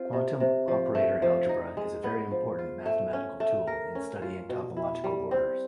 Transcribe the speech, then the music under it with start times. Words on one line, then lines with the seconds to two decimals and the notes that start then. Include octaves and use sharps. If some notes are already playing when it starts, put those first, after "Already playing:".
Quantum operator algebra is a very important mathematical tool in studying topological orders.
Already playing: C4 F4
0.13 C3
0.40 C3
0.68 F3
0.95 A3
1.22 F3
1.49 D#4
1.77 G#3
2.04 B3
2.31 F3
2.59 F4
2.86 A3
3.13 C#4
3.40 A3
3.67 A#4
3.95 C#4
4.22 F4
4.49 B2
4.77 E4
5.04 G3
5.31 C4